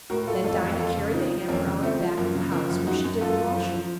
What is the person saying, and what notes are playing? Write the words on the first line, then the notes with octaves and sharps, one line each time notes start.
Then Dinah carried the hamper out in back of the house where she did the washing.
A2 F#4 A#4
A2 F4 A4
F2 F4 A4
F2
F2 F4 A4
C#3
F3 C4 D#4
F3
F2 A#3 C#4
C#3
F3 A3 C4
F3
F#2 A#3
C#3
F3 A#3
F#2
F#2 D#4 F#4
F#2
F#2 F4 A4
F#2
F3
F3